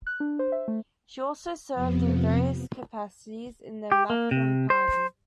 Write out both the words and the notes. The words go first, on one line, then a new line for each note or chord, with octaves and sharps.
She also served in various capacities in the Mapam Party.
F#6
D4
C5
E5
A3
F2 C3 F3 B3
G4
A#3
C3
C5